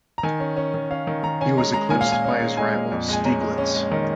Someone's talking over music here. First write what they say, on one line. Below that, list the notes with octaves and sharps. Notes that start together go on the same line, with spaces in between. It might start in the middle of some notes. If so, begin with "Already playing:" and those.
He was eclipsed by his rival, Stieglitz.
A#5
D#3 G#5
C#4
C#4
D#3
C#4 F5
D#3
D#3 A#5
C#4 G#5
G#3 A#5
G#3 A#5
A#2 G#5
F5
A#2
G#5
C#4
G#3
G#3 G#5
A#2
F2
G#3 G#5
C#4 A#5
G#3
C#4
G#3
D#3